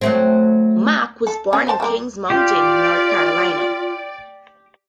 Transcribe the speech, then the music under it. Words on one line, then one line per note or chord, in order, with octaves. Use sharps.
Mack was born in Kings Mountain, North Carolina.
F#3 A3 C4
A4
C#4
C5 G5 A5
G3 A#3
F4 G4 D5